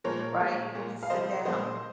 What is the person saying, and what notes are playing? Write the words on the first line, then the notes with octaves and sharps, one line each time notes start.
right? You could just sit down.
A#2 F3 G#3 A#4 C#5
A#2 G#3
A#2 G#3
F5
C3 F3 G#3 C5 D#5
A#2 F3 G#3 C5 D#5